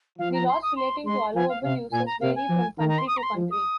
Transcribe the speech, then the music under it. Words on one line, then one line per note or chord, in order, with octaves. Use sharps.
The laws relating to allowable uses vary from country to country.
F3 F5
A#5
C6
D#6
C6
G#3 C6
F3 G#5
F5
C3 F5
A#2 G#5
A#5
C3 F5
G#5
F3
D#3 A#5
A#5
C6
D#6
A#5
C6
F3
D#6